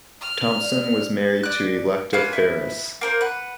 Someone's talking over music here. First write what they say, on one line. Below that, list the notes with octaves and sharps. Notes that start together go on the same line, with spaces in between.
Thompson was married to Electa Ferris.
F6
D5
D5 F#6
A#3 C#4 F4 B4
E4
A#3 A#4 C5
B4 F#5